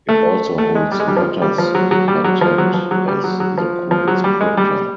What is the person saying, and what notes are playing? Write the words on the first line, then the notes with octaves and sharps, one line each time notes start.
It also holds letters patent as the Queen's Printer.
A3
A3
G#3
G3
G#3
G3
F3
G3
F3
F#3
F#3
G3
F#3
F3
F#3
F3
F#3
G3
F#3
F#3
F3
F3
F#3
G3
G#3
G3